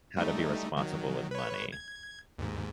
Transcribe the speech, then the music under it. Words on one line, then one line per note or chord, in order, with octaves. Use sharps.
How to be responsible with money.
G3 A3 D#4
D#3 F#3
B4 C#5
G#6
D#2 G#2